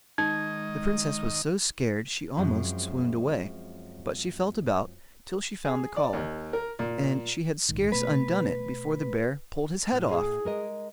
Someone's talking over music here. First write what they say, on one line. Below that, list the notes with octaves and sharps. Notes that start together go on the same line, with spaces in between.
The Princess was so scared she almost swooned away; but she felt about till she found the collar, and she had scarce undone it before the bear pulled his head off.
D#3 G#3 D#4 D#5 G#6
F#2 F3 G#3 C4
G#4
D5
D#2
A#4
A#2
A#1 G#2 D#3
B2 A3 B3 B4
A2
G#4
G#3 A#4 D#5